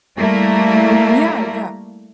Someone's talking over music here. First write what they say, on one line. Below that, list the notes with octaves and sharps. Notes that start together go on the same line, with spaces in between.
Yeah, yeah.
G3 A3 A#3 E4 A#4